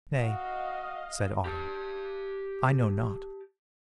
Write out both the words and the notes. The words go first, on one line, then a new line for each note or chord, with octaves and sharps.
"Nay," said Otto, "I know not."
F#4 D#5 F5
G4 A5